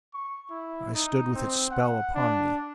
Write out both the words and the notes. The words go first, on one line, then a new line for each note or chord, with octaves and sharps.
I stood with its spell upon me.
C#6
E4
D#4
C4
F#5
D4